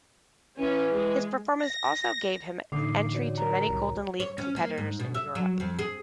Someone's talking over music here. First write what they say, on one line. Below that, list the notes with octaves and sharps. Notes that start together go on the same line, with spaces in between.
His performance also gave him entry to many Golden League competitions in Europe.
E3 C#4
G#3
A#6
A2 D3 E3 A#3 D#4 D6 C7
F#4 C#5 D5
F#4 A#4 A#5
C2 C#5
C#5
C#4
A#3
G#2
B2
E5
F#3
F2
G#4